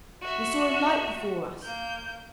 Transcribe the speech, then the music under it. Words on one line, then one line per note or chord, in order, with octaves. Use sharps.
We saw a light before us.
F#4 E5
A#3 G6